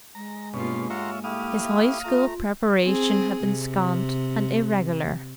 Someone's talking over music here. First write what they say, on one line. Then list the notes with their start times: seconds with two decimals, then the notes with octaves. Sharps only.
His high school preparation had been scant and irregular.
0.15 G#3 A#5
0.54 G2 B2 A#3 C#4 F4
0.90 A#3 F4 C#5 E5 F#5 A#5 C6
1.24 A3 E4 G4 F5 D#6
1.63 E5
2.04 A3 F4 A#5
2.84 C4 G#4
3.45 C3